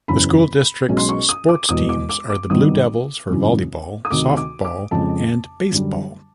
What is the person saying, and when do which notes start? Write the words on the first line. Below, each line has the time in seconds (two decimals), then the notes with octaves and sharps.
The school district's sports teams are the Blue Devils for volleyball, softball, and baseball.
0.08 F#1 E2 C#3 B5
0.89 B1 B2 G#3 C#4
0.97 C6
1.09 C#6
1.29 D#6
1.49 D6
1.69 E1 E2 B2 D#6
1.89 D6
2.09 D6
2.30 D6
2.50 G#1 G2 D#3 G3 B3 D#6
3.30 G#1 F#2 C#3 E3
4.05 D#6
4.11 D2 C3 D#3 D6
4.37 D6
4.65 D6
4.91 F2 C#3 F3 G#3 A5
5.72 F#2 D3 G3